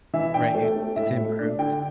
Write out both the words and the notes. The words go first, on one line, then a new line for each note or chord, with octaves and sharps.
Right. It It's improved.
E3 E5
D4 G5
A3
A3
A2 E5
A3
D4
D3 G5